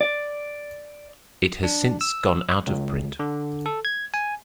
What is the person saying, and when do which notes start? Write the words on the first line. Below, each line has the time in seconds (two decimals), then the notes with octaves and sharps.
It has since gone out-of-print.
0.01 D5
1.63 D4
2.01 E6
2.67 C#2
3.19 D3
3.66 A4
3.85 G#6
4.14 G#5